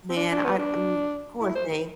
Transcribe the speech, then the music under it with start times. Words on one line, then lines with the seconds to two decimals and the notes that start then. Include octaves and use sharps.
man, I, m poor thing,
0.09 C4
0.17 D4
0.31 D4
0.44 B3
0.59 D4
1.41 E4
1.55 C5